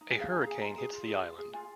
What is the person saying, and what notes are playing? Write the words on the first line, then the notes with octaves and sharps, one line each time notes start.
A hurricane hits the island.
D#4
G#5
G#4 F5
D#4 G#5
A#5
G#4 G#5
F4 A#5
G#4
F4
G#4
F4
G#4
F4 G#5